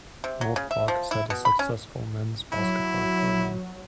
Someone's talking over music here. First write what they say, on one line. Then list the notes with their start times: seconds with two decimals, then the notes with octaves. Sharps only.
North Park has had a successful men's basketball program.
0.24 C3
0.41 F#3
0.56 C#3
0.71 E5
0.88 F3
1.11 E4
1.30 B2
1.45 B5
1.59 C#4
2.52 F#3 E4